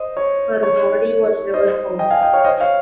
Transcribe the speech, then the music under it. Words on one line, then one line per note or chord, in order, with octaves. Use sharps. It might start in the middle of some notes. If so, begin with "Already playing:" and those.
Her body was never found.
Already playing: C5 D#5
C#5
C#5
C5 D#5
D#5 G5
F5 G#5
D#5 G5
C#5 F5
C5 D#5
C#5 F5